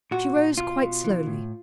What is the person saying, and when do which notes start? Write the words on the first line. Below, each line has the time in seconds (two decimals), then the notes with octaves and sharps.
She rose quite slowly.
0.11 A#2 F#4
0.35 A#2
0.57 B2 F4
0.81 B2
1.04 E3
1.27 A2